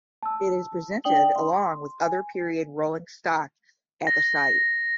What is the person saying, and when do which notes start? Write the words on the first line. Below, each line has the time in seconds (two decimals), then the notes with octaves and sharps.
It is presented along with other period rolling stock at the site.
0.23 A5 E6
1.04 D4 D5 G5 D#6 F#7 G7
1.36 C6
2.00 G#5
4.07 A#6